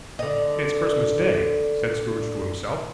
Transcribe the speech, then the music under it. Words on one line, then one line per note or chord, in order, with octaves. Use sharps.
'It's Christmas Day!' said Scrooge to himself.
D3 D#5